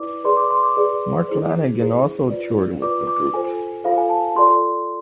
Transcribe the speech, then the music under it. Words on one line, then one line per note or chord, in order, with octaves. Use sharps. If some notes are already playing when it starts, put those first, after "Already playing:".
Mark Lanegan also toured with the group.
Already playing: E4 B4 D5 D6
G#4 B4 D5 C6
D6
C6
D6
G#4 B4 D5
E4 G#4 C5
E4 G#4 C5
F4 B4 D5
F4 B4 D5 D6
D6
F4 A4 C5 G#5
F4 A4 C5 F5
G#5
A5
F4 A4 D5 C6